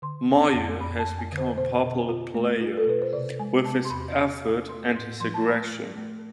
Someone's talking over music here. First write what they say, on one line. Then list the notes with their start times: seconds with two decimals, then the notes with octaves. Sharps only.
Mair has become a popular player, with his effort and his aggression.
0.02 D3 C6
0.29 F2
0.53 F2
0.81 F2 B5
0.99 A5
1.06 F2
1.19 G#5
1.32 D3
1.38 C5
1.58 B2 C5
1.84 B2
2.09 F4
2.35 A3
2.61 F4
2.77 A4
2.87 B2 B4
3.02 C5
3.13 C3 D5
3.40 G#3 G#5
3.65 C3 A5
3.85 C6
3.90 E2 B5
4.16 C3 C6
4.42 C3
4.69 A3 C6
4.94 A2 C6
5.20 F3 C6
5.34 A5
5.46 A3 B5
5.72 F3
5.97 A3